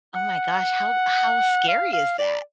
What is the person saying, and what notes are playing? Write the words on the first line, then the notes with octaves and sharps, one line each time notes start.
Oh my gosh, how how scary is that?
F#5
F5
F5
D5